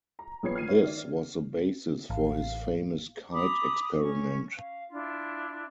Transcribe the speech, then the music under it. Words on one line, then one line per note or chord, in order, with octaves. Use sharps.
This was the basis for his famous kite experiment.
A#5
A#1 B3 C#5 G#6 C7
F6 G#6 C7 D#7
F#4 B4 C#5 E5
D#3 D5
A1 F5
A#5 B5 D6 D#6
C#4 C#6
F5
D4 E4 F4